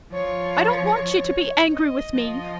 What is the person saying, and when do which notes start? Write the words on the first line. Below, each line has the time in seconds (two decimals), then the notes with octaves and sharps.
But I don't want you to be angry with me.
0.12 F3 C#5
1.73 D#5
2.13 F3